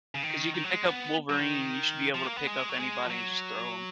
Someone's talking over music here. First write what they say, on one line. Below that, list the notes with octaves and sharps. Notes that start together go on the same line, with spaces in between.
'cause you can pick up Wolverine, you should be able to pick up anybody and just throw 'em.
C#3
D#3
D#3
F#3
G#3
B3
F#3
D#3
F3
A#3
B3
G#3
F#3
G#3
F3
F#3